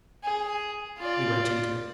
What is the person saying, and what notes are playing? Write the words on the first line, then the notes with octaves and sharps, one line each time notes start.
We went into it.
G#4
F4 D5